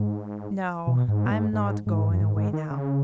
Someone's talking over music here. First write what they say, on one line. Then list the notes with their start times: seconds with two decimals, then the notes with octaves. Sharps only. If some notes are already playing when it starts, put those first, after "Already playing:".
"No, I'm not going away now."
Already playing: G#2
0.87 B2
1.08 G#2
1.26 B2
1.31 G#2
1.53 G#2
1.86 G#2
2.11 F#2
2.21 G#2
2.36 G#2
2.53 D#3
2.70 C#3